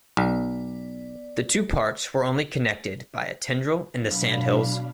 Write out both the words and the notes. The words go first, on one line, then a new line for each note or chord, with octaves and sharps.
The two parts were only connected by a tendril in the Sandhills.
B1 B3 D5
B2 F#3 D4 F5 B5